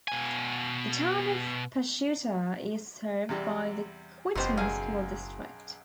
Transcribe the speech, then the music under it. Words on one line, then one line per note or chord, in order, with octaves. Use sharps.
The town of Pachuta is served by the Quitman School District.
B2 G#5
E2 C3 G3
F#1 C#2 B2 G4 C5 C6
B1 F#2 G#4 F5